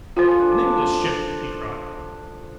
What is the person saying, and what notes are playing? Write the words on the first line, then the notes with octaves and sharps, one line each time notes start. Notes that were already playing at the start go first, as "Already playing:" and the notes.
"An English ship!" he cried.
F3 F4 A4 C5 G#5
D4